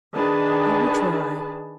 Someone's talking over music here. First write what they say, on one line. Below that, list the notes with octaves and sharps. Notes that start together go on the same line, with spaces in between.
"I will try."
D#3 D4 G#4 B4 A5